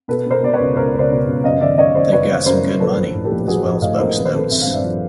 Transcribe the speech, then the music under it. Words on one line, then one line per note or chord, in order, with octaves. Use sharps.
They've got some good money, as well as bogus notes.
B2 A4 B4
B2 A#4 C5
B2 D5
B4 C#5
C#2
C#2 A#4 C5
C#2
C5 D5
B2
C#2
F#2 D#5 F5
D#3 D5 E5
F#2 C#5 D#5
D#3 C5 D5
F#1 B4 C#5
F#1
F#2 A#4 C5
F#2
A#1 A4 B4
A#1
A2
G4 A4
A#1
A#1 F#4 G#4
A2
A2 D#5 F5
A#1 A#4 C5
G#1 B4
C5
G#1 A4 B4
G#1 E5
G2 F5
D5 E5
F3